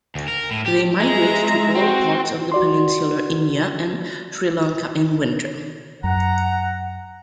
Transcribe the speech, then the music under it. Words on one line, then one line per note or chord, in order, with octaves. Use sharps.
They migrate to all parts of peninsular India and Sri Lanka in winter.
D2
A#4
A2
G4
G#3 E5 A#5
C4 F#4
F#4 D5 C6
F#2 F#5 A#5